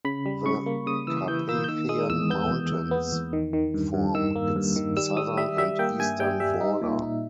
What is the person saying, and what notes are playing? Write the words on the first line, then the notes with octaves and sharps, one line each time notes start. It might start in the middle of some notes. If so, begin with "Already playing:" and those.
The Carpathian Mountains form its southern and eastern border.
C#3 B5
G3
C#3 C#6
A#3
C#3 D#6
E3 E6
E3 G6
A#3 E6
G6
D#3 E6
G#3 D#6
E2 E6
B3 G6
E2
E2
B3
E2
D#3
D#3
G2
G2
D#3 E6
A#3
G2
D#3
G3 E6
G3 D#6
G3 E5
G3 E5
A#3 G5
G2 G#5
G3 G5
G3 E5
D#4
A#2
D#4